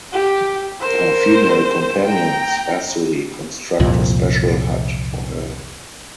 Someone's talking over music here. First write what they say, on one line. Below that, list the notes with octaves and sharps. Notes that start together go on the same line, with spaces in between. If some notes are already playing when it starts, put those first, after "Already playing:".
Her female companions hastily construct a special hut for her.
G4
A#4 C5
G5 A#5
C2 F2 A#2